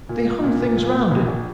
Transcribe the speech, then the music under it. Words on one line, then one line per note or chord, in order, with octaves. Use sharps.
They hung things round it.
A#2
A#2
A#2
A#2
A#2
A#2
A#1
A#1